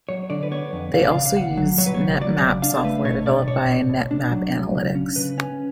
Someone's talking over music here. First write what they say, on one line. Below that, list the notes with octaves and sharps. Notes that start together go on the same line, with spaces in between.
They also used "NetMap" software developed by NetMap Analytics.
F#3 C#5
D3 D5
B4
B3 C#5
F2
C#3 F5
D5
C#3 F5
F5
D2 F#5
F#3
F#3 C#5
B4
C#3 C#5
F#3 D5
C#3
D4 F5
A4
A3 B4
B2 C#5
B2 D5
B2 C#5
B2
B2
D4
F#3
F#3
C#3
C#4
C#3 B4
C#4